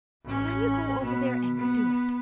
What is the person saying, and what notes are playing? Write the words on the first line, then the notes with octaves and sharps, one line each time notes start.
Now you go over there and do it!
A1 C#4
B2 B3
B3